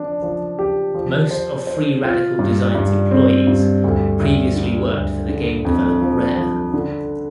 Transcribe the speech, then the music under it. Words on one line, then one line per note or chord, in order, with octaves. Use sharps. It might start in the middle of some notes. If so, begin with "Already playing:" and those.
Most of Free Radical Design's employees previously worked for the game developer Rare.
Already playing: F3 D4
F3
G4
F3
C5
C5
F4
G2
G2
C4
G2
D2
D2
D3
D2
D3
F2
F3
F3
D3